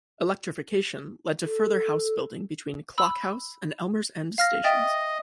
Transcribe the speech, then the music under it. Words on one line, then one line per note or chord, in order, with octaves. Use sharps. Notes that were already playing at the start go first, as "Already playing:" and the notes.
Electrification led to further house building between Clock House and Elmers End stations.
A4
B5 E6
F5 F6 A#6
D#5 E5 G5 A6